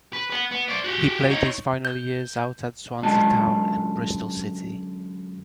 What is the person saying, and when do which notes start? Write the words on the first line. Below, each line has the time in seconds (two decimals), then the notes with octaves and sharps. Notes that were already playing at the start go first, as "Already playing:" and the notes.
He played his final years out at Swansea Town and Bristol City.
0.13 B4
0.31 B4 F#5
0.52 B3
0.69 C5 D5
0.84 F#4 G4
1.30 D#4 C#5
1.85 G6
3.02 F#2 D3 G#3 F4 D#5 A5